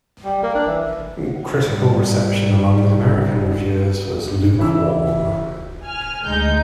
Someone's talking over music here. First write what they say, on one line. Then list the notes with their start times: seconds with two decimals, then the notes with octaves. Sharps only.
Critical reception among American reviewers was lukewarm.
0.24 G3
0.43 A#3
0.55 D4
0.67 E3
1.58 G#2 G3
4.58 C#3 E3 E4 E6
5.84 G#5 F6
6.25 D2 G#3 D#4 G6